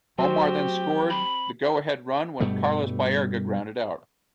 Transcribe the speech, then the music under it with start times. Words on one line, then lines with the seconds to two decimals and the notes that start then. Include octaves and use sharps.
Omar then scored the go-ahead run when Carlos Baerga grounded out.
0.18 F#3 A3 C4 F#4 G4
1.10 B5
2.40 G2 B2 G3 A3